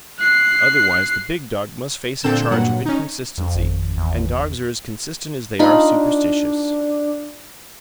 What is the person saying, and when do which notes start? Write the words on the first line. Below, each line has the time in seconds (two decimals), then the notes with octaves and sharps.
Otherwise, the big dog must face a charge of inconsistency, and dogs are as consistent as they are superstitious.
0.19 F#6 C7
2.24 A#2 D3 C4 A4 G6 E7
2.51 G2 A#2 F#3 F#5
2.85 C#4 D#4
3.38 F2
3.55 G#1
3.98 E2
5.59 D4 D#4 F4 B5